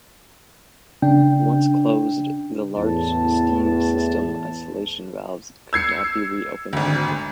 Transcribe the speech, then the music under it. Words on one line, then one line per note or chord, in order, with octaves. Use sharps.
Once closed, the large steam system isolation valves could not be reopened quickly.
C#3 D4 G5
E2 A2 A5
E6 G#6 C7 C#7
G#1 D2